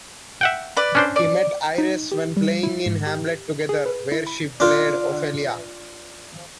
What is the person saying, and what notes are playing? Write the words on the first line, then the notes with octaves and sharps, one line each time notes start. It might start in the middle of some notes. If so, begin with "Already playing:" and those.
He met Ayres when playing in "Hamlet" together, where she played Ophelia.
E5 F#5 G5
B4 D5
C#4 D4 C5
D5
D#4
G4
G3
E4
G#2
G4
G#4
B4
E4
B5
D4 F4